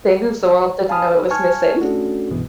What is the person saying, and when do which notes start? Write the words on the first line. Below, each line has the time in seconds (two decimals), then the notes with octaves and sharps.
Things the world didn't know it was missing.
0.89 F5 G#5 A5 B5 D#6 F6
1.16 D#4 B4
1.30 G#5 A5 C#6 F6 G#6
1.81 A3 C#4 D4 F#4 G#4 A4
2.31 C2 G2 B2 E3 B3